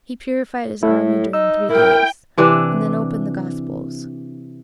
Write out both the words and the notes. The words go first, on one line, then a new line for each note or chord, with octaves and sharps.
He purified his army during three days, and then opened the Gospels.
A2 A3 E4
D#4 E6
E4 A#4 G5
C3 E3 D4